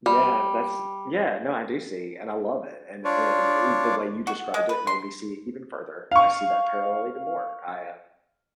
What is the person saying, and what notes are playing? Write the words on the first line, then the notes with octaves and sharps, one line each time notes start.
Yeah. That's yeah! No, I do see, and I love it. And the and eh and, eh, the way you described it made me see it even further. I see that parallel even more. I uh,
G3
D4 F4 C#5 D5
F#4
G#3
B4
C6
F5 C#6